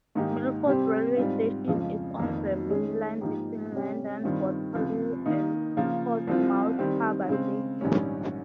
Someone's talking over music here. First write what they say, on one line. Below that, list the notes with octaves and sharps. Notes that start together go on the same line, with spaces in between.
Milford railway station is on the mainline between London Waterloo and Portsmouth Harbour station.
G#2 D#3 A#3 D#4 G4
C3 G3 C4 G4 C5
G#2 G3 C4 F4
F2 C#3 F3 G#3
F1 F2 D#3 A#3
D#3 G#3 C#4 G#4
G#2 F3 A#3 D#4 G4
C3 G3 C#4 G4
G2 D#3 G3 C4 F4
C#2 C3 F3
D#3 A#3 D#4
C#3 F3 A#3 F4
C2 C3 F3 C4 F4
D#3 G3 C4 G4
C#3 G#3 C4
A#1 G#2 D#3 G3 C#4